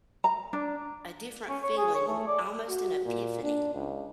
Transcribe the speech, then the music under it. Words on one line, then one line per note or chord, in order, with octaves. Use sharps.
a different feeling, almost an epiphany,
A#5
D4
C#4
C#5
G#4
C#5
A3
D5
F#4
A#2
D4
C#2